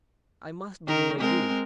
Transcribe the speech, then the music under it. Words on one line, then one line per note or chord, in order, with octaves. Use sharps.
I must be near you.
D#3 A#4
G#3 C4 A#4